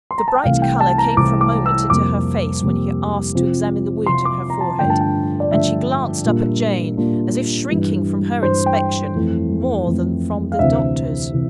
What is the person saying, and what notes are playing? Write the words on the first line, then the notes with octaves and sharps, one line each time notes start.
The bright colour came for a moment into her face, when he asked to examine the wound in her forehead; and she glanced up at Jane, as if shrinking from her inspection more than from the doctor's.
C6
A#5
A5
G5
C2 C3 E3 A3 F5
G5
A5
A#5
C2 C3 E3 A3 D6
D6
E6
F2 C3 G3 A#3 D6
F2 C3 G3 A#3
C3 F3 C4 F4
C3 F3 C4 F4 C6
D6
A#5
A5
G2 D3 F3 A3 G5
A5
G5
D5
G2 D3 F3 A3 E5
A#2 G3 A#3 D4 F4
A#2 G3 A#3 D4 F4
G2 E3 G3
G2 E3 G3 C5
G5
F2 E3 A3 C4 E4
F2 E3 A3 C4 E4
F5
D2 C3 E3 E5
C3 E3